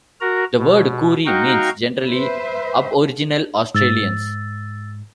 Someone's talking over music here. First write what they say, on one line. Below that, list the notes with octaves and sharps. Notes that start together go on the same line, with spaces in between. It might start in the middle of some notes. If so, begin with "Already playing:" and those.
The word "Koori" means, generally, aboriginal Australians.
F#4 A#4 A#5
B2
D#4 F#4 F5 G5 A#5 C#6
B4 C5 E5
G#2 E6 A6